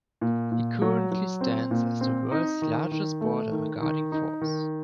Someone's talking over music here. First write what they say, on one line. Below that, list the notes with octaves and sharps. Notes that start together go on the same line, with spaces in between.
It currently stands as the world's largest border guarding force.
A#2
A#2
F#3
F#3
C4
A#2
C4
D#4
D#3
D#3
A3
D#3
D#3
D#4
D#3